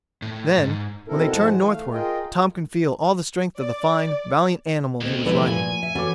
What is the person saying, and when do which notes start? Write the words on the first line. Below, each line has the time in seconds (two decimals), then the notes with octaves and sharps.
Then, when they turned northward, Tom could feel all the strength of the fine, valiant animal he was riding.
0.22 A2
0.58 G#2
1.08 B2 C4 E4 A4 A#4
1.30 G#2 F3 G#3 F#5 A5
1.56 E3
1.70 A3 F5
1.93 F4 G#4 A#4 D#5 G5
3.58 D5
5.01 D2 B2 A3 C4
5.26 A#1 E3 G3 A3 E4 B4
5.47 A#2 F3 G#5
5.83 E5
5.95 E3 C#4 F#4 A4 D6